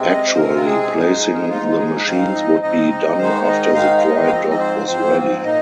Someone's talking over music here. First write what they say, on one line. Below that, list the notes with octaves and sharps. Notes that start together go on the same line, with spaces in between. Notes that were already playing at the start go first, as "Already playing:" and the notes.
Actually placing the machines would be done after the dry dock was ready.
Already playing: C3 G#3 C4
D#5
C5
C3 G#3 C4 A#4
F4
G#4
G#2 F3 G#3 D#4
A#4
G#4
G#2 F3 G#3 D#4 F4
F4
G#4
G#2 F3 C4 D#4 F5
D#5
G#2 F3 C4 D#4 D#5
D#5
G#2 D#3 G#3 D#4 C5
D#5
G#2 D#3 G#3 D#4 F5
F5
D#5
F5
G#2 F3 C4 D#5
D#5
C5
G#2 F3 C4 C5
A#2 A#3 D#4 D#5